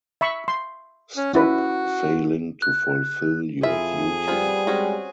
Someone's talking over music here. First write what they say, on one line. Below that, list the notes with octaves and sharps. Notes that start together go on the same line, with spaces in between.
Stop failing to fulfill your duty.
E5 B5 C#6
C6
C#4
C#4 E4 F#4 B4
F#6
F2 E4 F4 G#4 E5
G3 B3 C4 F4
G#3 C4 C#4 F#4